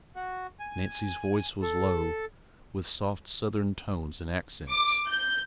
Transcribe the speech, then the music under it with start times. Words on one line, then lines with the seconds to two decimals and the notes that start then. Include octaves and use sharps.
Nancy's voice was low, with soft, southern tones and accents.
0.15 F#4
0.60 G#5
1.62 A4
4.71 D6
5.07 G6